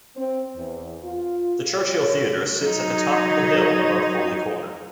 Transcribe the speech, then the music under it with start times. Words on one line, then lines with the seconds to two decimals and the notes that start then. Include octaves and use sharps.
The Church Hill Theatre sits at the top of the hill above Holy Corner.
0.16 C4
0.55 E2
1.04 F4
1.75 C#5
2.60 F#3 D#4